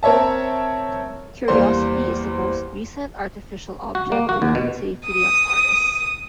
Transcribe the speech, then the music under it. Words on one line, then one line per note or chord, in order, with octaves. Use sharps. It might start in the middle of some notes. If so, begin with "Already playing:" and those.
"Curiosity" is the most recent artificial object to land safely on Mars.
C4 A#4 C#5 E5 A5
E2 G3 A#3 C5 C6
F#4
A#3
F#4
D#2
B2
D#6